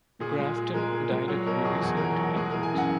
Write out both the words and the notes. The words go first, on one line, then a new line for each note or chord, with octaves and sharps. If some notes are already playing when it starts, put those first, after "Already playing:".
Grafton died at Bury Saint Edmunds.
A#2 G#4
G#3
A#2
G#3 A#4
A#2
G#3
F#3 C#5
B2 A#4
E2 G#4
E2 G#4
F#3 A#4
B2 F#4
G#3 G#4
E3 A#4
G#5
F#2 F#5